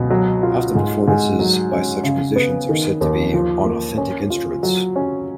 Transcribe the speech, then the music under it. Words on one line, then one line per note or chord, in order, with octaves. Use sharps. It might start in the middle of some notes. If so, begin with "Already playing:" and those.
Often performances by such musicians are said to be "on authentic instruments".
Already playing: C#2 B2
F#3
F4
G#2
G#2
F#3
C#4
C#3
B3
D#3
D#2
F3
A#3
C#4
F4
F#3
C#4